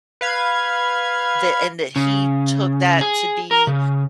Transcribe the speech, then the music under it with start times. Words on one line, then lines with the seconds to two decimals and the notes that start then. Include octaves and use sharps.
that and that he took that to be
0.21 B4 F5 G#6
1.96 C#3
3.01 G#4
3.51 A#4
3.67 C#3